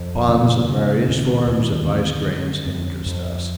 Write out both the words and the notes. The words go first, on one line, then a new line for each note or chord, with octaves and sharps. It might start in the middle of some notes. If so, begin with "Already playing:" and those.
The ponds and various forms of ice grains interest us.
Already playing: F2
C#3 B3
C#3
D#2 C4
D#2
D3 C4
D3
F2 C4
F2